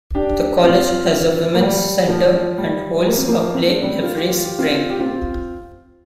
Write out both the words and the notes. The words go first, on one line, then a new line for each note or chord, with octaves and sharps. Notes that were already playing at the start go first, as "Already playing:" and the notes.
The College has a Women's Center and holds a play every Spring.
D4 G4
C4 F4
A#3
G3
F3
G3
A#3
C4
F3 A#3
C4
D4
G3 C4
F4
G4
F4
G4
C4 F4
G4
C4 F4